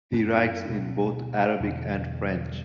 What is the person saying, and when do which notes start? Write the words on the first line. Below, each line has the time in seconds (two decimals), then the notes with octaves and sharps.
He writes in both Arabic and French.
0.12 F#2 B3 C#4 D4
0.69 D2 B2
1.60 E2 G2 B2 D3